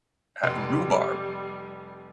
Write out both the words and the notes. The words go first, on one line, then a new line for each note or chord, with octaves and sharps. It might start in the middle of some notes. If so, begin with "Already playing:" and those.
At Rhubarb!
F1 G3 C6